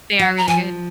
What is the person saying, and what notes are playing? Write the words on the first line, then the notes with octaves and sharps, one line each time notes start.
They are really good.
F#3 F#5
A#5
F3 G#5